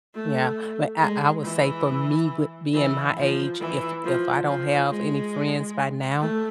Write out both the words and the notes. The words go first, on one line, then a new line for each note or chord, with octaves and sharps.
Yeah. But I I would say for me, with being my age, if if I don't have any friends by now,
A3
G#3
E3
E3
F3
E3
F3
F3
G#3
A3